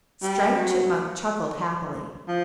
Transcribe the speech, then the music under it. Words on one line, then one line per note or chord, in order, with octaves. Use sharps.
Striped Chipmunk chuckled happily.
G3
F#3
F3